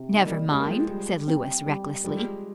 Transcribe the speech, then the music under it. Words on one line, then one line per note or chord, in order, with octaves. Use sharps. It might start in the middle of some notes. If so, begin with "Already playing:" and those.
"Never mind," said Louis recklessly.
Already playing: C3
D#4
G3 A#3
G#3 G4
A#3
F3 G#3
G3
C4
G3
F3 G3 G#3